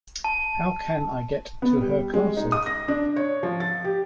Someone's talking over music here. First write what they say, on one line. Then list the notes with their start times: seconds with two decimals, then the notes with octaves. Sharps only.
How can I get to her castle?
0.24 A5
1.62 B3
1.81 G3
2.14 G#3
2.37 D#4
2.52 D#6
2.66 A#6
2.88 D4
3.16 C#5
3.43 F3
3.60 A6
3.84 G4